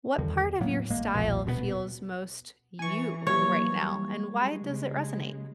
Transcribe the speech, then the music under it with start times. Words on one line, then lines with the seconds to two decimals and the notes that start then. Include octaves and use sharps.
What part of your style feels most you right now, and why does it resonate?
0.18 E2 G2 D3 D#3
0.60 A2 F#3 A#3 B3
0.90 G#1 G#3 A#3
1.14 E1 B1 A#2 F3
1.46 D#1 B2 G3 B3
2.79 E3 G#5 C#6
3.27 F#3 G3 A#3 C#5
4.36 G#3
4.66 C#3 G#3